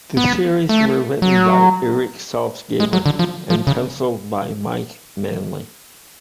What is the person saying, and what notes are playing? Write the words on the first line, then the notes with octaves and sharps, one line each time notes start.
The series were written by Erik Saltzgaber and pencilled by Mike Manley.
B3
A3
F#3
G#3
F#3
D3
F3
F3
C#3